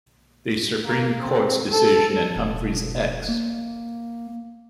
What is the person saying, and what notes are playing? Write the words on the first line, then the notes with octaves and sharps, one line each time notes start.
The Supreme Court's decision in Humphrey's Ex.
A#3
C4
A4
E1
A#3